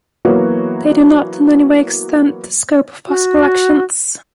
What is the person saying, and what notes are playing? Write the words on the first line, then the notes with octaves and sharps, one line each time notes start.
They do not in any way extend the scope of possible actions.
E3 F#3 A#3 B3 F#4 C#5
F#4